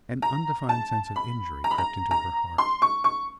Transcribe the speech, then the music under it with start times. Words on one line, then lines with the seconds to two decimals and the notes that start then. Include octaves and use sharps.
An undefined sense of injury crept into her heart.
0.22 A#5
0.69 A5
1.16 B5
1.64 A#5
1.71 B5
1.78 A#5
2.11 A#5
2.58 C6
2.82 C#6
3.04 C#6